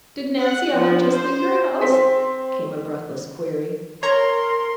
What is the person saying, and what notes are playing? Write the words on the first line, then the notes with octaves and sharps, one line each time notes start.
"Did Nancy Ellen just leave your house?" came a breathless query.
F#5
F3
C5
C4 C6 B6
A#4 C#5 A#5 C6